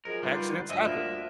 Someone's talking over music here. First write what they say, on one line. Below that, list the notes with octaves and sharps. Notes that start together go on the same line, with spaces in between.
Accidents happen.
F#2 F3 G#3 A#4
D3 D#3 G3 F4 B4
D2 G2 F3 D#5 E5
A#3 D4